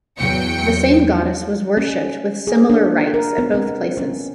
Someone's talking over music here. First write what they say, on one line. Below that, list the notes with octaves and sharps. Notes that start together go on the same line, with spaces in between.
The same goddess was worshipped with similar rites at both places.
E2 F#3 G5 C#7
C#4
G#4
D4
A#4
B3
C4
C#4